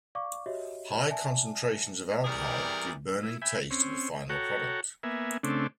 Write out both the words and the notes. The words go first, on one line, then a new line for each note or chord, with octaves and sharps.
High concentrations of alcohol give burning taste to the final product.
D5 F5 C#6 D6
F#4 G4 C#5 D#5 E5
D5 E5 G#5 A5
C3 E3 G3 G#4 A#4 D5
E4
E5 G5 G#5 B5
C4 C#4
F#4 A4 C#5 F#5 G5 A#5
A#3 B3 E5 G#5
C#3 A3 C4 D4